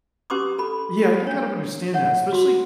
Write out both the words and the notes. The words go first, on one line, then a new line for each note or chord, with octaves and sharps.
Yeah, i I can kind of understand that, especially
C#4 G4 B4 C6 D6 D#6
A4 B5
D4 C#5
C#5 F#5
F#4 C6